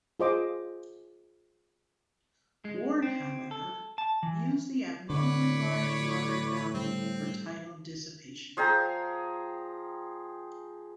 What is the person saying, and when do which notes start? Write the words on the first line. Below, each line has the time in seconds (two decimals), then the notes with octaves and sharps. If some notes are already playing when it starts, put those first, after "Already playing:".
Ward, however, used the abnormally large modern value for tidal dissipation.
0.20 F4 G#4 C5 D#5 D6
2.65 G#3
3.02 C4
3.51 A4
3.98 A5
4.23 E3
5.10 A2 D3 B4 C#5 D5
6.75 G3 C4
8.57 F3 G#4 G5 A#5